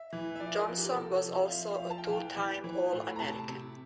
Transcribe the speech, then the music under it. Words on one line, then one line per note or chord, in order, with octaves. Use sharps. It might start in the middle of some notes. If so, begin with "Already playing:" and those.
Johnson was also a two time All-American.
Already playing: E5
E3
E5
F3 D5
A#4
F3
G4
A#4
C3 A4
F3
F5
F3 E5
F5
F3
A5
G5
F5
E3 G5
E3
E3
A2
A#5
C3 A5
C3